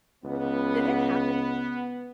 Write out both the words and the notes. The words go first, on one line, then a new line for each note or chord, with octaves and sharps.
Did it happen?
C#2 B3